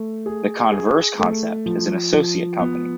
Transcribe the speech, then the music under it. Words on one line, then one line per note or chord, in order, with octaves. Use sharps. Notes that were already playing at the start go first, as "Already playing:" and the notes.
The converse concept is an associate company.
Already playing: A3
G#4
G#4
A3
F3
F3
B3